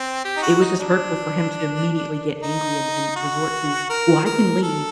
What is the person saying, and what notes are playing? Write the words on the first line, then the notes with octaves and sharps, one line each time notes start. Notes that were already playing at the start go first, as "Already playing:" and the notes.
it was just hurtful for him to immediately get angry and and resort to, "Well, I can leave."
Already playing: C4
G4
D#4
F#4
D#4
D4
D#4
F#4
A#4
A#4
A4